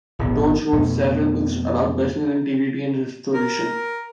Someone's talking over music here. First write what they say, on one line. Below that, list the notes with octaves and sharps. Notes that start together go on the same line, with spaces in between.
Dortch wrote several books about personal integrity and restoration.
D1 G#1 A#2 B3
F2 B2 A3
A#4